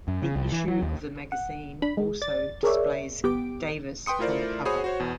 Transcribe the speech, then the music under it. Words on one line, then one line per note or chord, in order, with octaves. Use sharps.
This issue of the magazine also displays Davis on the cover.
F#2
C#3
C2
E3
F#3
D#2
F#5
D4 B5
G#3
D5 A6
G#4 A#4 C#5 D5 E5
G1 B3 G4 G5 D6 D7
B4 G5 C6 D#6 C#7
A3 E4 F4 A#4 C5 D5
F#4 G#4 C5 C#5 B5 D#6
F#4 C5 C#5
E2 B2